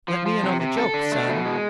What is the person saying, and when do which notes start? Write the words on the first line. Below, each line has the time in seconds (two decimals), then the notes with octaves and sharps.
"Let me in on the joke, son."
0.08 F3
0.26 F3
0.43 C3
0.60 C3
0.77 A4
0.94 D4
1.12 A3
1.29 B2
1.45 G#3